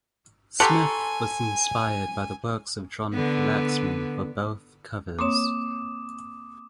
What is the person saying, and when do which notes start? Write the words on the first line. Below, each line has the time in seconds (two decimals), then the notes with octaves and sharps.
Smith was inspired by the works of John Flaxman for both covers.
0.60 G4 A4 F#5 G#5 A#5 C6 C#6
3.13 D3 B3
5.19 A#3 C4 C#5 D6 D#6 E7